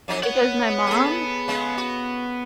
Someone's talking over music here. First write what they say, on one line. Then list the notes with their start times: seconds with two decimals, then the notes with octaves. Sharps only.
because my mom
0.08 F2 F#3 D#4
0.23 B3 C#5 F#5
0.87 G#4 A4
1.48 C#3 G#3
1.77 F#4